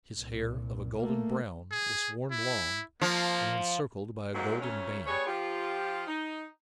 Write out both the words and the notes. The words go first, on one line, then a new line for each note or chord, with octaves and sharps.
His hair, of a golden brown, was worn long, and encircled by a golden band.
C2 A#2
A3 A#3
G#4
E4
F3 A#3
D#2 G#2 D3 F#3 G#3 A#3
F2 F#3 A3 C#4
G3 B3 G#4 C#5
F3 F4 G4
D#4